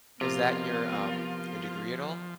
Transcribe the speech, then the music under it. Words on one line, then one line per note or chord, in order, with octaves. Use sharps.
was that your, um, your degree at all
C3 F3 B3 F4 A#4